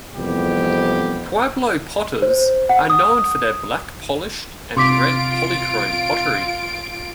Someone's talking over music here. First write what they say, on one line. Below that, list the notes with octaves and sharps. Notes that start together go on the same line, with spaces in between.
Pueblo potters are known for their black polished and red polychrome pottery.
C2 F2 G#2 E3 B3 G4
C5
F#5
D#6
C3 F4 C6 D6 B6 D7